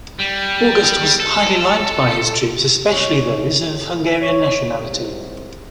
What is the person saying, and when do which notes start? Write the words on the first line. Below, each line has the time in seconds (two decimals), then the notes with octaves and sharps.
August was highly liked by his troops, especially those of Hungarian nationality.
0.19 G3
1.20 A4
2.87 F#1 C2 D#4 C#5
3.64 D#2 A2
4.21 C#5
4.79 C2 G#2 C3